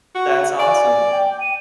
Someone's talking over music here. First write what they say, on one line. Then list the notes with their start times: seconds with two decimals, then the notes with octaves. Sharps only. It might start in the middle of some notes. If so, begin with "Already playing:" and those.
That's awesome.
0.15 F#4
0.59 D5 G#5
1.12 G5
1.40 D#7